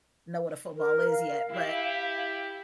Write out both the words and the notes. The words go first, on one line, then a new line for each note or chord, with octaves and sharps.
know what a football is yet, but,
A#4
F5
E4 G4